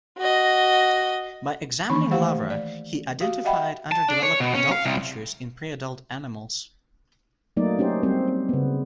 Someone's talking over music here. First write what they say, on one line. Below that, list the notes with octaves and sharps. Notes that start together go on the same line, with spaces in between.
By examining larvae, he identified underdeveloped adult features in pre-adult animals.
F#4 D#5
D#3 E3 A#3 D#4 B5 C#6
A3 G4 C5 F5 F#5
D5
F#4 G4 F5
D#5 E5 F#5 G5 B5
A5
D4
C#5
B2
C#4
F5
C2
F#3 A3 A#3 D#4 D5
C#4 D#4 G4 C5
G3 C4 C5
C#3 B3